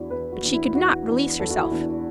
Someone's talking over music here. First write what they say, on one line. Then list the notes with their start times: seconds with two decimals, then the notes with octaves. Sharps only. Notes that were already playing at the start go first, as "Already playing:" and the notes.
But she could not release herself.
Already playing: E2 E3 B3 D4 E4 F#4
0.10 E2 B4
0.32 F#4
0.43 E3 B3 D4
0.53 E4
0.65 E4
0.75 E2 F#4
1.08 E3 B3 D4
1.39 E2 A4
1.51 F#4
1.61 E4
1.71 E3 B3 D4